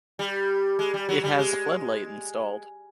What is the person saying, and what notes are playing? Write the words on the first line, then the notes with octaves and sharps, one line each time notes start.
It has floodlight installed.
G3
G#3
G3
F#3
G3
G#3